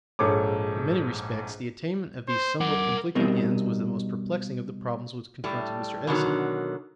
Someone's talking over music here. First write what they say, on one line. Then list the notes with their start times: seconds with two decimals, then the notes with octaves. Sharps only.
In many respects the attainment of these somewhat conflicting ends was the most perplexing of the problems which confronted Mr. Edison.
0.19 A#1 G#2 A4 C#5 D6
2.28 C5
2.61 A#4 F#5 D6
3.15 B2 G3 C4 D#4 A#4
5.44 A2 G3
6.07 B2 D3 D#3 F#3